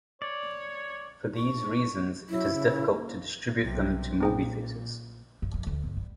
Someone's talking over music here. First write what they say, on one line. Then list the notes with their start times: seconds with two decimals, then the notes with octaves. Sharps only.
For these reasons, it is difficult to distribute them to movie theaters.
0.22 C#5 D5
1.37 D4 C#6
2.30 F#3 E4
2.53 C#3
2.91 A#3
3.60 B1 C3
4.20 A#2 C4 G#4 G5
5.42 G2
5.54 F2
5.67 D2
5.84 G1
5.97 G3